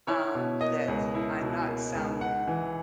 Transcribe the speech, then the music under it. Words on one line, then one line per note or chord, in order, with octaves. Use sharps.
um, that I'm not some
E4 C#5
B2
A#3 D#5
C#2
E4
B2
A#3
C#2
D#4 F#5
E3